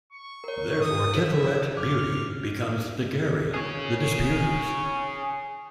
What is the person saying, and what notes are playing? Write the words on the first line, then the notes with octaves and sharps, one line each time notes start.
Therefore Tiferet, beauty, becomes Thagirion, the disputers.
C#6
A#4 C#5
D#6
A4 C5 E5
D6 F6
G#4 C#5